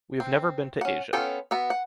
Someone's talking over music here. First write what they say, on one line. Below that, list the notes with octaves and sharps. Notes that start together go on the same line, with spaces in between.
We have never been to Asia.
C4
C#4 F#5
B3 C#4 F4 A4 G5
B3 F#4 E5
F#5